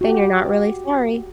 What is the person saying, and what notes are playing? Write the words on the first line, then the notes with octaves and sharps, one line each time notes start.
Then you're not really sorry.
F#4 G4